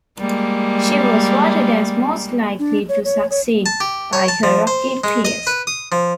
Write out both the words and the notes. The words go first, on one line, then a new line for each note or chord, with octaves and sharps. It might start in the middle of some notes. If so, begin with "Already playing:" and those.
She was voted as "most likely to succeed" by her Rockette peers.
G3 G#3 A#3
D4
C#5
C#5
C#5
A5
G4
C#5
A5
F3
C5
G#3
D#5
B4
D#6
F3